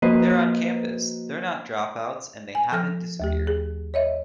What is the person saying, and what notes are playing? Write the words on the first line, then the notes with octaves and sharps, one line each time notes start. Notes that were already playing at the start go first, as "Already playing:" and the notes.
They're on campus, they're not dropouts and they haven't disappeared.
F3 A#3 F#4 B4 C5 D#5
G#5
F3 A4 F6 A#6
D#2 A3 G4
G#4
C#5 D#5 E5